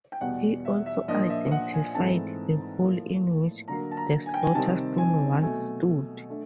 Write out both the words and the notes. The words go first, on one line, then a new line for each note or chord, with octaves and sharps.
He also identified the hole in which the Slaughter Stone once stood.
G5
E2 B2 G3 F#5
E5
E5
A#2 F3 A#3 D4 D#5
E5
F#5
G#5
G#2 E3 A3 C4 A5
A2 F3 A#3
D3 F#3 A#3 A#5
A5
A#5
G#5
G5
G#5
C3 D#3 G3 C4 A5
G#5
B2 F#3 A3 G#5
A3 D4